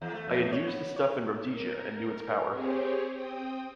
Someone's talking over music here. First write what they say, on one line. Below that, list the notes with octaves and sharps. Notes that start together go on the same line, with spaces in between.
I had used the stuff in Rhodesia and knew its power.
E2
A3
F2
C#5
B3
C#5
A#4
C4 G4 G#4 C5 C#5
C4 G5 D#6